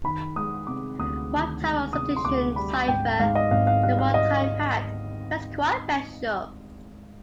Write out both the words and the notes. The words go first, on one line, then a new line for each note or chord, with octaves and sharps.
One type of substitution cipher, the one-time pad, is quite special.
D#3 B5
G#3 D#6
C3 D6
D2 D#6
D#3
G#3
C3 D#6
C6
D2 D6
G3 B5
G#1 G5
G#2 F5
D#5
G#1 F5
F5
G3 F5
F5
D#5